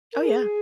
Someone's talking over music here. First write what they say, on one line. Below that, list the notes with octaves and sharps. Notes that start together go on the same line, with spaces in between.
Oh, yeah.
A#4
G#4